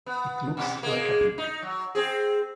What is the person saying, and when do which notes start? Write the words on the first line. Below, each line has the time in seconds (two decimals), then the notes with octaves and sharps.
It looks like a pig.
0.06 B3
0.57 B2
0.83 G#3 A#3
1.38 D#4
1.62 F#3
1.95 C4 G#4